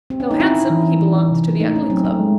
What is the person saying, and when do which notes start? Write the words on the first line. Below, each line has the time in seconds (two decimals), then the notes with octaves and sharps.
Though handsome, he belonged to the Ugly Club.
0.10 C4
0.20 C#4
0.31 D#4
0.40 C4 E4
0.70 E3
1.01 E3
1.31 C3
1.60 A3 D#4
1.76 C#4
1.90 F#3 C4
2.05 A3
2.20 G#3